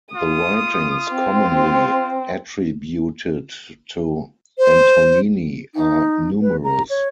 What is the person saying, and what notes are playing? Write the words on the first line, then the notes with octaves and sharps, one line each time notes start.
The writings commonly attributed to Antonini are numerous.
F4 D#6
C4
C5
D#4
B4
A#5
C#5